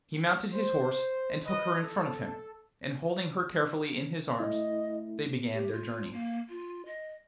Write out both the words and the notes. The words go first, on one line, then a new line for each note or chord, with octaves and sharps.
He mounted his horse and took her in front of him, and, holding her carefully in his arms, they began their journey.
C5
B4 D#5
A4
A3 E4 D#5
G4
F4
A#3
F4
D#5